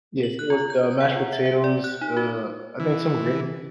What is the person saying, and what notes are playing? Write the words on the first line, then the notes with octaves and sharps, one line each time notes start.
Yes, it was the mashed potatoes, uh, I think some gravy
F#7
F#6
F4
G6
F#5
F4
E5
E5
D5
F#6
D#4
F#4
E3